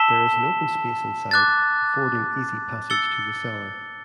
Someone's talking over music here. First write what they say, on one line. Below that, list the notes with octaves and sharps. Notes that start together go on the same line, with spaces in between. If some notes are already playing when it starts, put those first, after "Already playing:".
There is an open space inside affording easy passage to the cellar.
Already playing: A5 E6 B6 E7 G7
D6 F#6 A6
E6 A6 C#7 G7